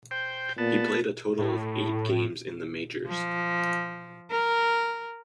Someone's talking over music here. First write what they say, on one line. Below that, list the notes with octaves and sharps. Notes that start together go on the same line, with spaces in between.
He played a total of eight games in the majors.
C5 G5
A#2 B3 A5
A2
F3
A#4